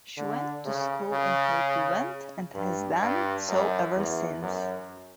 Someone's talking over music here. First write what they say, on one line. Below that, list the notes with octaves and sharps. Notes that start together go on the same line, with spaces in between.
She went to school in her duvet and has done so ever since.
D3
C#3
C#3
G2
G2
F#2
E2
F#2